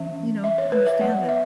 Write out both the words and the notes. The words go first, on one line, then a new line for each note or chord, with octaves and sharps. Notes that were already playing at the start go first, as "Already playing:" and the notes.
you know, understand that
Already playing: E3 C#4 E5
E5
C#5
B4
E5
F#3 B3 F#5
E5